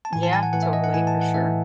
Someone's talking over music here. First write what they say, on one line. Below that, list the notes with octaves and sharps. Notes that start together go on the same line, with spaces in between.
Yeah, totally, for sure.
A5
A2 E3 G#5
A5
G#5
F#5
A2 E3 F#5
E5
D#5
F#5
A2 E3 G#5
A5
F#5
A2 E3 E5